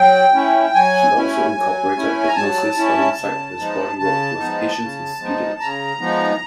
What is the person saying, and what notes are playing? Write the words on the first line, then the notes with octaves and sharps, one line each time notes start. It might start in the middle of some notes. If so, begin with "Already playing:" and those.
He also incorporated hypnosis alongside his bodywork with patients and students.
Already playing: F#3 G5
A3 C#4 E4
F#3 G#5
A3 C#4 E4
F#3
A3 C#4 E4
A#5
F#3 A5
A3 C#4 E4
C#3
F3 G#3 B3 D#4
C#3 A5
F3 G#3 B3 D#4
C#3
F3 G#3 B3 D#4
C#3 A#5
F3 G#3 B3 D#4